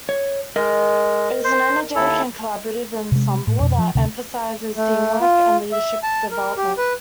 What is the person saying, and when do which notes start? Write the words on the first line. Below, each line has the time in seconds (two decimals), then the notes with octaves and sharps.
It is an energetic and collaborative ensemble that emphasizes teamwork and leadership development.
0.09 C#5
0.56 G#3 A#4 D#5
1.44 C5
1.96 D#2 E4 A4
3.12 C3 G#3
3.47 A2
3.60 F2 B2
3.79 F3
3.95 D2 C3
4.77 A3
5.21 F4
5.72 E5
6.03 A5
6.31 A#4
6.57 G4
6.78 B4